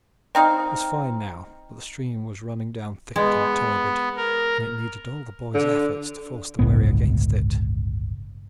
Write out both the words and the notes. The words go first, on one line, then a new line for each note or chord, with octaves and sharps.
It was fine now, but the stream was running down thick and turbid, and it needed all the boys' efforts to force the wherry against it.
C4 D#4 F5
G#3 B3
A#4
D3
G1 C#2 A2 B3